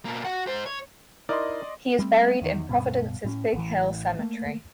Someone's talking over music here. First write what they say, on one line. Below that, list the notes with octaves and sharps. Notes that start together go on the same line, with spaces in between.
He is buried in Providence's Big Hill Cemetery.
B2 A#3
F#4 F#5
G#2 C5
C#5
D#4 E4 A#4 D5 D#5 C6
G3 A3 C4
E2 D#3
D1 A#1 G2 B2
A2 C4 C#4
A1 E3
A3 A#3